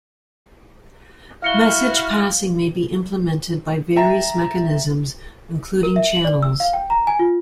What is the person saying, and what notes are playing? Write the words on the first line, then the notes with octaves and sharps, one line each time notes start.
Message passing may be implemented by various mechanisms, including channels.
E4 F#4 F5 F6 C#7 G7
E5 G5 A5 A#5
A#4
E5
F#7
D5
E6
F5
G5
A#5
G#5
F4